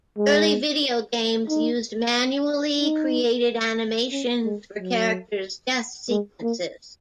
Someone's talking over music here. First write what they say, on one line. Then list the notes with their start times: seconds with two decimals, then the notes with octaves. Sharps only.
Early video games used manually created animations for characters' death sequences.
0.17 G#3
1.49 D#4
2.80 D#4
4.11 C#4
4.45 G#3
4.78 F#3
6.09 G#3
6.42 A#3